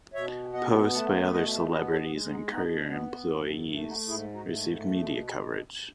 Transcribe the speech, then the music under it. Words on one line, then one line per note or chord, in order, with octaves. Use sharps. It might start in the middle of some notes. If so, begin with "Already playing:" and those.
Posts by other celebrities and courier employees received media coverage.
B2 C#5 E5
B3 D#5 F#5
A3 F#5 A5
B2 D#5 F#5
B3 B4 D#5
A4 C#5
G#3
B3 D#4
B2 B3 D#4
B3
F#2
C#4
A3
D#4 F#4
G#2 E4 G#4
D#4 F#4
A3
B2